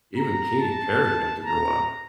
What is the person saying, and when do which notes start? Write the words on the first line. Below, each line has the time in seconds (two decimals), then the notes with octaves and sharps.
Even Katy Perry got to go up,
0.17 A#5
0.60 A5
1.45 A#5